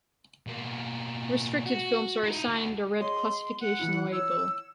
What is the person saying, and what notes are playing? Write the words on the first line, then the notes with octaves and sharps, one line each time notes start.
Restricted films are assigned a red classification label.
B2 A#3
F#4
D#4 E4
D2
G#4 C#5 D#5 C6
F#5
E3 E4 F4
C#5 E6